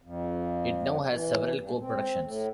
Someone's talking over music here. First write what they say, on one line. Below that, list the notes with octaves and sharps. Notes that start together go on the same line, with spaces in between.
It now has several co-productions.
F2
E3
G2
C4
A2